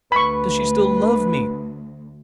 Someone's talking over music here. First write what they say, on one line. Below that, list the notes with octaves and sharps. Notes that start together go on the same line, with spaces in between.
Does she still love me?
D2 B4 B5 C#6